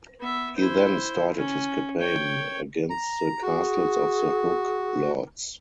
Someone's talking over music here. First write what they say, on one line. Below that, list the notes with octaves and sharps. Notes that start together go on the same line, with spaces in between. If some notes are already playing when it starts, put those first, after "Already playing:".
He then started his campaign against the castles of the Hook lords.
B3 E5
E4 C5
C#4
C#5 G5
A#5
F#4 G#4